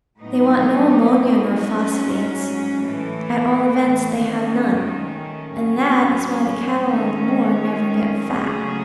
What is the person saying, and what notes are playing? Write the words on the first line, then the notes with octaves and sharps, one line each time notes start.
They want no ammonia nor phosphates--at all events they have none, and that is why the cattle on the moor never get fat.
A2 F#3 B3 D#4
G#2 F#3 C#4
A2 E3 A3
D#3 A3 C#4
A2 F#3 C#4
D#3 G#3 C#4
C#3 F#3 A3 C#4 G#4